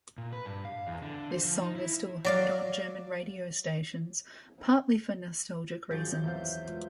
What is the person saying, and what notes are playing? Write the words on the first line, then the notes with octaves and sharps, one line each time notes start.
This song is still heard on German radio stations, partly for nostalgic reasons.
A#2
B4
G2
F5
E2
D3
C5
F3
D#4
E4
F#3 D5 F5
G#1 F#2 F3 F#3 G#4 G6 A6
E2 E3 C5 C#5 E5 F5
G#3 F4 B4